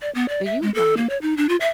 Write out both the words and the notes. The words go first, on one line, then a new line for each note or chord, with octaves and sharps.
Do you like
D5
B3
D5
E5
G#3
A4
A#3
C#5
D#4
D4
F4
E5